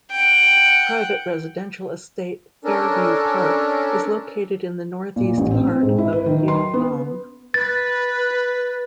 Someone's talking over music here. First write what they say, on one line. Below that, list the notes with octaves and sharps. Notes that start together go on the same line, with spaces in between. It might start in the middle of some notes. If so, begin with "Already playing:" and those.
Private residential estate Fairview Park is located in the northeast part of Yuen Long.
F#5 G5
C#4 D4 A4 A#4
A#2
A1
C4
C4
G#2
E4
B4
D#3
C6
B3
B4 A6